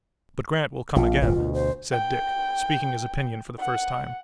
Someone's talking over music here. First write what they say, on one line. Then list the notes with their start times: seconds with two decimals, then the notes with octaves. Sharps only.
"But Grant will come again," said Dick, speaking his opinion for the first time.
0.96 A#1 F4
1.21 D1 G1 A2 F4
1.35 D2 B2
1.54 C5
1.92 G5
3.58 F#5